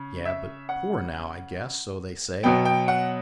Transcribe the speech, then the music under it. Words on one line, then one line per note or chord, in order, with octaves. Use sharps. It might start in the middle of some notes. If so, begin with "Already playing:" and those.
"Yeah, but poor now, I guess; so they say."
Already playing: C#3
E5
F#5
B2 F#3 B3 G5
G5
F#5